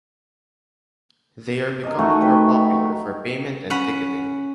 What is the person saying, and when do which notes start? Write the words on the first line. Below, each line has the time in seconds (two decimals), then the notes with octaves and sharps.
They are becoming more popular for payment and ticketing.
1.83 A#4 D#5
1.99 A3 D#4 F#4 G#4
2.21 B4 G5
3.70 C#4 F#5 B5